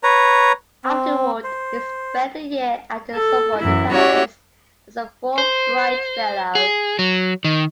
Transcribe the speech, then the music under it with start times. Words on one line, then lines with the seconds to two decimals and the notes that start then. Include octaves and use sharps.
Afterward, he spent a year at the Sorbonne, in Paris, as a Fulbright Fellow.
0.03 B4 C#5 A#5
0.85 C4
1.44 C5
3.15 A4
3.59 F#2 E3 E4
3.92 C#4 E4 F#4 G4 C#5 D5
5.38 C5
6.55 G#4
6.99 F#3
7.44 D#3